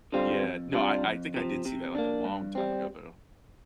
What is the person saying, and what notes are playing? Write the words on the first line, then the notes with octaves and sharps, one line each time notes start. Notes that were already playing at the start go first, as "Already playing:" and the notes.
Yeah. No, I I think I did see that, like, a long time ago, though.
D3 G3 C4 F4
F2
C3 G3 D4 F4
F2
C3 F3
C3
A#3 D4
G2
G3 C4